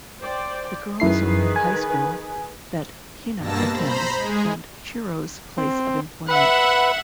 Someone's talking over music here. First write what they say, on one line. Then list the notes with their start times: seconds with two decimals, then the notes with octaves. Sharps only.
The girls-only high school that Hina attends and Shiro's place of employment.
0.20 C5 D5 G5
1.00 F#2 D#3 E4 G#4 B4 C7
1.56 G#5
3.37 G2 B2 A#3 A5 E6 A#6
3.73 C5 A#5 B5
4.15 G#3 G#4
5.58 C4
6.28 B4 E5 F#5